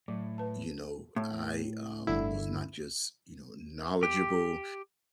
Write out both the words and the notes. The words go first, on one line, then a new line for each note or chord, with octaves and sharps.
you know, I, um, was not just, you know, knowledgeable,
A2 F#3
B4 A5
A2
G1 D3 E4
G4